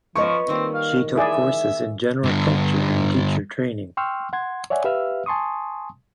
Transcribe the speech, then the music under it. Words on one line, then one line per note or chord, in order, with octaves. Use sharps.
She took courses in general culture and teacher training.
F3 F4 B4 C#5 D#5 C#6
D#3 G3 A#3 C4
F5
E4 G#4 D5 E5
G2 D3
G5 C6 C#6 E6 F6
F#5 C6 G#6
C#5 D5 E5 F#5 G#5
G4 B4 E5 F5 E6 F6
G#5 A5 C6 C#6 D#6